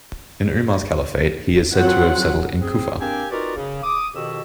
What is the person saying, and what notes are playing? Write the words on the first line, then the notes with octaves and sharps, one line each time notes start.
In Umar's caliphate he is said to have settled in Kufa.
F#3 C4 F4 F#5
C4 G#4
A#3 C4 D4 G4 G5 G#5
D#4 F4 F#4 A#4 B4 D5
C#3
D6 D#6
F2 B2 D#3 F#4 G4 E6